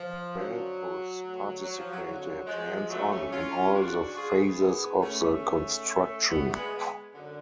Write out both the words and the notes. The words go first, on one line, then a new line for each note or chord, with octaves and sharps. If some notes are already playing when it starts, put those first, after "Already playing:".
Balthus participated "hands on" in all the phases of the construction.
Already playing: F3
F#2 D3 F#3
D2 D3
F#3
F3
F#3
F2 D3 F#3
F3 G#3
F2 C#3 F#3 A3
A3 C#4
C#4 F4
G#2 D4 F#4
F4 G#4
A3
G#3 B3
G#2
A3 C#4
A3 C#4
G#2
D2 D3 B3
A3
G#3 B3
F#2 D3